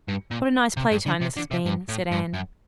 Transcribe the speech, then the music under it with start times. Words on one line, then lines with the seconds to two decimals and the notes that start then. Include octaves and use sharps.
"What a nice play-time this has been," said Anne.
0.08 G2
0.31 A#2
0.77 C3
0.91 G2
1.06 D3
1.21 C3
1.37 D3
1.51 C3
1.66 G2
1.88 A2
2.11 G2
2.34 F#2